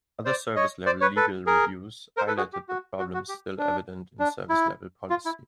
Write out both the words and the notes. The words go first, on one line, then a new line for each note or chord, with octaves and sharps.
Other service-level legal reviews highlighted the problems still evident in service-level policy.
C5 D5
C#5 D#5
C5 D5
B4 C#5
A4 B4
G#4 A#4
A#4 C5
A4 B4
F#4 G#4
G4
F#4
F#4
F#4
G4
D4
D4
E4
F4
E4